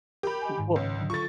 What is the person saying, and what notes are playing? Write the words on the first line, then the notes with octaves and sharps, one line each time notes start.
Mm, well
G4 A#4 B5
D#5 G#5
G#2 D#3 G#5
C#2 B4 C#5 F5
D3 F#3 D4
F4 A4 C#6 A6